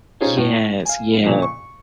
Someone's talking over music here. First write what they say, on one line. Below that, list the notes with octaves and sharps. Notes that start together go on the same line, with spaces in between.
Yes, yes,
C#4 D#4 F4 G#4 C5 C#5
A2
F5 G#5
F2 A#2 C#3
C#6